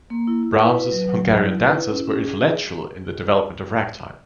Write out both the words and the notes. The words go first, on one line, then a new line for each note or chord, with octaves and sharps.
Brahms's "Hungarian Dances" were influential in the development of ragtime.
A#3
E4
E4
B4
B4
F#3
F#3
F#3
E4
B4
E4
C#4
C#4
G#4